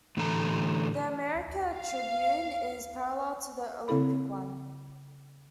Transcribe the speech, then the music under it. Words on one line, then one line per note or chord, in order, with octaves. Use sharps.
The "America" Tribune is parallel to the" Olympic" one.
A2 D3 E3 A4 G5 A#5
F5
C#3 C4 E4 A4 B5